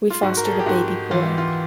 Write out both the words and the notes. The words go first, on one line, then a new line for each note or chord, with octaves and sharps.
We fostered a baby boy.
F4
G#2 F#4
A#4
A4
G#4
G4
G#2 F#4
E3 F4
F4